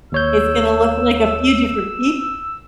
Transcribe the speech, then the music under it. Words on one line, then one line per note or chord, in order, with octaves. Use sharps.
It's gonna look like a few different peop
D#2 C#5 E6 G6